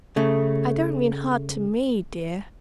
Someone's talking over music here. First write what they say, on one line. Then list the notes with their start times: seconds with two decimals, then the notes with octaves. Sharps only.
I don't mean hard to me, dear.
0.16 C#3 A3